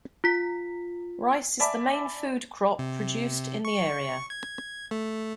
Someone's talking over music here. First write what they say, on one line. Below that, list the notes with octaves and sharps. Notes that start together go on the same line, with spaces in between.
Rice is the main food crop produced in the area.
F4 B6
D5 E5 G#5 A5 B5 D6
C3
C#6
G#6
A3